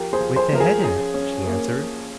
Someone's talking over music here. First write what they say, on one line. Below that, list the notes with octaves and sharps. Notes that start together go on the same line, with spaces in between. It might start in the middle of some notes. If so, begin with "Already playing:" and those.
"With the head in it," she answered.
Already playing: F3 G4 A#4
G#4 C5
F3
G#4 C5
F3 A#4
G#4
C#4 G#4
C#4
A#3